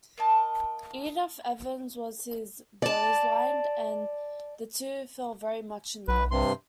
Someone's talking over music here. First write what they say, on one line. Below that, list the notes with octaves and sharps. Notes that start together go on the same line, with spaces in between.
Edith Evans was his Rosalind and the two fell very much in love.
A#3 D#5 A5
D5 A5
B1 B4
G2 C3 C6